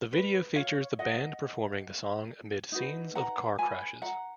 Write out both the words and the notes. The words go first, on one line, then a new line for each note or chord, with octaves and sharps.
The video features the band performing the song amid scenes of car crashes.
B4
C#5 F5
D#5 F#5
D#4 F#4 B4
F#5 A#5
G#5 B5
F#5 A#5